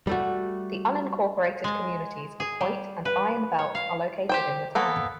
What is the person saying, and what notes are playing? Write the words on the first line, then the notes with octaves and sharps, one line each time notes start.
The unincorporated communities of Hoyt and Iron Belt are located in the town.
G3 A3 F#4
G#3
G#4
G3
B4
C#5
F5
G4 C5 G5
A#3 B3 A4